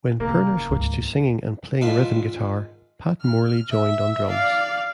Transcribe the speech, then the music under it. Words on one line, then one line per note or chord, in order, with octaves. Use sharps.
When Pirner switched to singing and playing rhythm guitar, Pat Morley joined on drums.
C3 A#3
F#1
D2 G#2
G#2 D#3 F4 B4 D5 A5
F6
E5
D5 F5